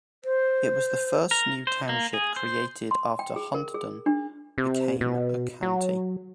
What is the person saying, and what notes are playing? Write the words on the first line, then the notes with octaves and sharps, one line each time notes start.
It was the first new township created after Hunterdon became a county.
C5
A#4
C5
A#3
G#4
C5
C6
G5
G#4
A#4
G#4
D4
C3
B2
F#3